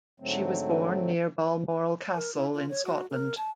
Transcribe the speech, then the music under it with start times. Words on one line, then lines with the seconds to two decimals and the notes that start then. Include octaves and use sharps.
She was born near Balmoral Castle in Scotland.
0.20 G#2 D3 F#3 A3 C4
2.16 A#4
2.35 E4
2.54 F4
2.70 C#5
2.85 F#4
3.11 A#4
3.37 A5